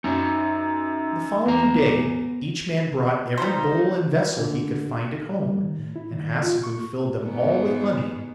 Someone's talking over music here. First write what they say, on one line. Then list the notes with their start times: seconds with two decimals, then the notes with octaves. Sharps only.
The following day each man brought every bowl and vessel he could find at home, and Hassebu filled them all with honey.
0.04 F#2 D#4 C#5
1.46 E2 B3 A#5
3.38 G3 A#3 D#4 A4 C5
4.39 D3
5.40 G3
5.63 D#3
5.78 A2
5.96 E4
6.12 D#3
6.43 F4
6.63 C#6
7.21 G#2 B3